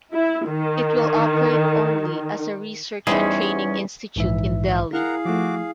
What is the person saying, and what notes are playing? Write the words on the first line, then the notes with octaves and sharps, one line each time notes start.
It will operate only as a research and training institute in Delhi.
E4
D#3
E2 G3 C#4 D#4 G#4 C5 E5
A#1 G#2 E3 E5
E4 G#4 A#4 F5 F#5 A#5
F3 A3 F#4 D6